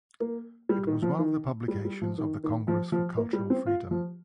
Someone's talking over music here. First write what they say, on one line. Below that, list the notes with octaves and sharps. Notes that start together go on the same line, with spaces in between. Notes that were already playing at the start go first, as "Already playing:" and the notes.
It was one of the publications of the Congress for Cultural Freedom.
A#3
G3
D#3
F3
D#3
G3
G3
F3
D#3
D#3
F3
F3
A#3
G3
C4
F4
F3